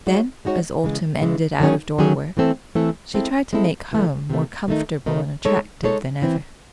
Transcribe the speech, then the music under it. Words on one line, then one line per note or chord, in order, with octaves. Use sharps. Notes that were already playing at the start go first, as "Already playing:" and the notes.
Then, as autumn ended out-of-door work, she tried to make home more comfortable and attractive than ever.
G#3 D#4 F#4 C#5
G#3 D#4 F#4 C#5
C#3 E3 G#3
C#3 E3 G#3
D#3 F#3 A3 C#4 G#4
D#3 F#3 A3 C#4 G#4
E3 A3 C4 E4 A4
E3 A3 C4 E4 A4
G#3 C4 E4 A4
G#3 C4 E4 A4
C3 E3 A3
C3 E3 A3
D#3 A3 D#4
D#3 A3 D#4
G#3 D#4 A4 C#5
G#3 D#4 A4 C#5
E3 C4 E4